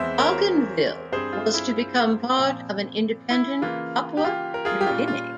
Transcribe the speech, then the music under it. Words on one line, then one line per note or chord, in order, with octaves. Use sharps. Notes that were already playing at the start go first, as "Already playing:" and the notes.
Bougainville was to become part of an independent Papua New Guinea.
Already playing: E2 E3 G#3 C4 C5 E5
A#4 C#5
G2 G3 C4 G#4 C5
F4
E4
A#2 F3 C4
E4
C#3 E3 A#3 F4
G4
F4
A#4
F4 G#4
G4
A#2 G3 C#4 F4
F4